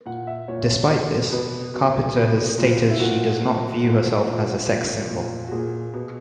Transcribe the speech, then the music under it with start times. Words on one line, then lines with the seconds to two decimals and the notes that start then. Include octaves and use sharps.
Despite this, Carpenter has stated she does not view herself as a sex symbol.
0.06 A#2 F#5
0.27 E5
0.48 A#2 C#5
0.89 B2
1.32 B2 B4
1.74 B2
2.16 B2 B4
2.58 A#2
2.90 E4
3.00 A#2 F#4
3.42 A#2
3.84 A#2
4.26 A#2
4.68 A#2
5.10 A#2
5.47 F#4
5.51 A#2 G#4
5.94 B2